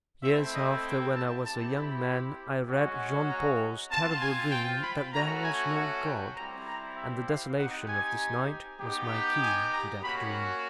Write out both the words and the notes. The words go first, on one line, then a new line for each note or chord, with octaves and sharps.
Years after, when I was a young man, I read Jean Paul's terrible dream that there was no God, and the desolation of this night was my key to that dream.
A3 C4 E4 E5
D#5
G5
A5
C4 E4 G4 A5
B5
G#3 C#4 F#4
A#5
C4 F4 A5
G#5
G5
B5
A3 C#4 F#4 A#5
G#5
F#5
G5
G3 C4 E4 G4 A#5
A#5
E5
F5
C4 D#4 G4 F#5
G#5
B3 D#4 G4
G#5
A#5
A#3 C#4 F#4 B5